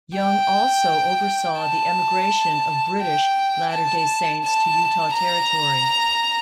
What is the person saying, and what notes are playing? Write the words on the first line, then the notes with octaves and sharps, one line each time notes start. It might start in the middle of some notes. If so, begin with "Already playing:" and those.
Young also oversaw the emigration of British Latter-day Saints to Utah Territory.
G5
A5
G5
A5
A5
A#5